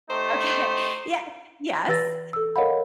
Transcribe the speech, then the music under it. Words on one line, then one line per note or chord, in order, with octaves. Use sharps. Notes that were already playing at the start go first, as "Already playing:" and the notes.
Okay. Yeah Yes.
A3 D#4 G4 C5
E3 B4 E6 A6 A#6
A4 E6
A#4 C#5 D#5 F5 F#5 B5